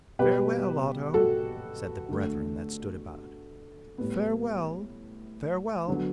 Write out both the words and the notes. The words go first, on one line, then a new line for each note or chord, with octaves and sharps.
"Farewell, Otto," said the brethren that stood about, "farewell, farewell."
B2 G3 B3 G4 B4
F#4 A4
D3 A3
A2 G3 B3
D3 F#3 B3